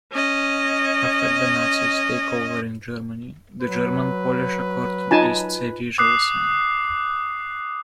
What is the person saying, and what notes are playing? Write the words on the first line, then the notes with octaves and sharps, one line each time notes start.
After the Nazis' takeover in Germany, the "German-Polish Accord on East Silesia" was signed.
C#4 D#5
F#3 B4
D#4 F4 G#5 A5
D6 D#6 F#6 C7